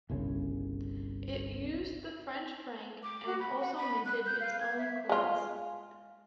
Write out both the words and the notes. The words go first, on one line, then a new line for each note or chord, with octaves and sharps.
It used the French franc, and also minted its own coins.
G1 C2 C#3
D6
F#4
B5
F#5
B5
F#6
G6
F5
G#6
E5
G#3 F4